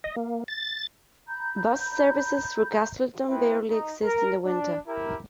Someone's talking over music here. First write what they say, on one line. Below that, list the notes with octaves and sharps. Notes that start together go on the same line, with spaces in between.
Bus services through Castleton barely exist in the winter.
D#5
A#3
A6
A#5 B5 G6
B3 C4 E4 B4 G5
D#4
A#4
D4
E4 G4 A#4